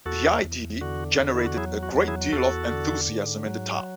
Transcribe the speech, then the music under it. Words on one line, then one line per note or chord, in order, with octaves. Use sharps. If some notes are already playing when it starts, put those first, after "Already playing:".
The idea generated a great deal of enthusiasm in the town.
E2 F#4 A4
E2
D3 F#4
E2
E4
F#4
F#3 E4 G#4
F#4
E2
E4 G#4
E2 F#4 A4
D3
G#2
F#3